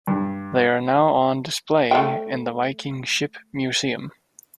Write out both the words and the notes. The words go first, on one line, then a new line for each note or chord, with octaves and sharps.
They are now on display in the Viking Ship Museum.
G2
A3 G5